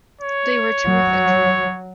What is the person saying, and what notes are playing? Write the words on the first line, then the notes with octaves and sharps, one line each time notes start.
They were terrific.
C#5
F#3